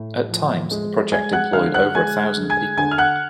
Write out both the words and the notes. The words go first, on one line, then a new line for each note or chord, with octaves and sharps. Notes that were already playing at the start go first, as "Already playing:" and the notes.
At times, the project employed over a thousand people.
Already playing: A2
F3
G#3
G#3 G#5 G#6
F#5 F#6
D3 F5 F6
F#5 F#6
G#3 G#5 G#6
D3
G#5 G#6
D3 G#5 G#6
F6
F#5 F#6